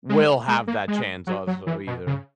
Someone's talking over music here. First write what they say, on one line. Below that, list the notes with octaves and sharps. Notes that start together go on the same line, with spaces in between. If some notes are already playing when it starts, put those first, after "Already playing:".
will have that chance also, either.
G#3
G#3
A#3
G#3
F#3
F#3
E3
B2
C#3